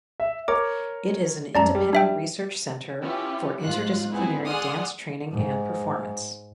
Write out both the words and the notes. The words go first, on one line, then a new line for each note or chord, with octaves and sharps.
It is an independent research centre for interdisciplinary dance training and performance.
E5
A#4 C#5 D6
F#2 D5 A5 A#5
G3
D4 E5 G5
C#4 E4 F4 G4 B4
G#2 F4 F#6
B3 C4 E4 G#4
G#4 D5 F#5 C6 D#6 F6
G#2